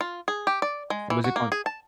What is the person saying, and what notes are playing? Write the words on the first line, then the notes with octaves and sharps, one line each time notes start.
Was it called?
F4
G#4
G4
D5
G#3
E3
F#4
A#3
G#4
A5